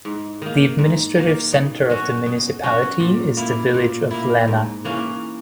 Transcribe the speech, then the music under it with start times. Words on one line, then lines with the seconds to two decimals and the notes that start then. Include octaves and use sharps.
The administrative centre of the municipality is the village of Lena.
0.05 G#2
0.42 D#3 A#3
0.79 G#2
1.15 D#3 A#3
1.53 B2
1.90 F#3 C#4 F#4
2.26 B2
2.63 F#3 C#4 F#4
3.00 A#2
3.37 A#3 E4
3.74 A#2
4.11 A#3 E4
4.48 G#2
4.85 E3 A#3 C#4